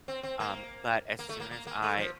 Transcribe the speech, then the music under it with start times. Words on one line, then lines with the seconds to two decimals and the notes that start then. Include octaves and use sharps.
um, but as soon as I
0.08 C4
0.23 C4
0.40 A#3
1.19 A#3
1.29 A3
1.40 A#3
1.51 A#3
1.67 A#3
1.82 A3
1.98 F3